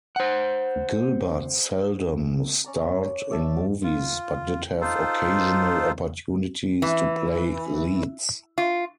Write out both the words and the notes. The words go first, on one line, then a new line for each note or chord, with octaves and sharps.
Gilbert seldom starred in movies but did have occasional opportunities to play leads.
C5 F#5
C#4 D5 A#5
C#5 D5 E5 A5
E5
F4
D#4 F4 A4 C5
E3
F4